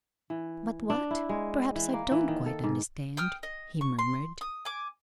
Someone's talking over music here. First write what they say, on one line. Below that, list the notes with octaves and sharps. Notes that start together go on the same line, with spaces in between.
"But what--perhaps I don't quite understand," he murmured.
E3
D4
E4
G#3
E3
A#3
E3
D#3
A4
G#2
G5 D#6 F6
D#5
C#6
C6
D#6
G#5 D6